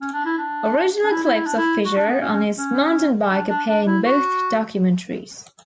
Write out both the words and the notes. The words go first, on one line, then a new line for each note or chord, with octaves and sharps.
Original clips of Fisher on his mountain bike appear in both documentaries.
C#4
D4
E4
D4
D4
E4
E4
E4
D4
E4
F#4
D4
B3
C#4
D4
C#4
C#4
D4
D4
D4
E4
F#4